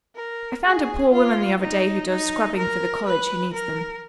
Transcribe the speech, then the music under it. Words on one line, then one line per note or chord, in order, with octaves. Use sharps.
I found a poor woman the other day who does scrubbing for the college who needs them.
A#4
G#4
F4
D#4
D#4
A#4
B4
A#4